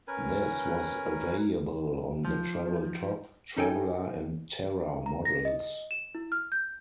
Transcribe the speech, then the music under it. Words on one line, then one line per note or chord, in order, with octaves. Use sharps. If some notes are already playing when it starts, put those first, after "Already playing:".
This was available on the Travel top, Traveler and Terra models.
C#4 A#4 B4 G#5
F3
C#4 D#4 A4 G5 G#5
A#5
A#6
D#5
E7
E4
F6
G6